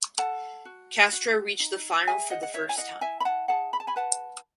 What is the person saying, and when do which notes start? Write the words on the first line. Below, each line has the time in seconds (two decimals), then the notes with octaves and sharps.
Castro reached the final for the first time.
0.18 A4 F#5 A5
0.65 F#4
1.13 F#4
1.60 D#4
2.07 G#4 E5 G#5
2.30 D#5 F#5
2.43 F#5
2.54 E4 C#5 E5
2.69 G#5
2.78 D#5 F#5
3.01 E4 E5 G#5
3.20 B5
3.25 F#5 A5
3.48 G#4 F#5 A5
3.73 B5
3.80 A5
3.87 G#5 B5
3.96 B4 F#5 A5